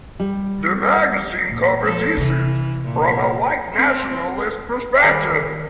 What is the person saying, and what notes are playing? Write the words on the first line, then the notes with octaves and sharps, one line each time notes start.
The magazine covers issues from a white nationalist perspective.
G3
A#2
F3 A4
C3 E3
A#2
C4
D#3 G3 G#4 A5